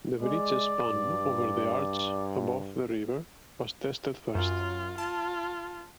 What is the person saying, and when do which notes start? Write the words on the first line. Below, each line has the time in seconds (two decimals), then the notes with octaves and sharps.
The bridge span over the arch above the river was tested first.
0.21 G#3 D5
0.89 G2
4.35 F#2 F4
4.98 F4 A5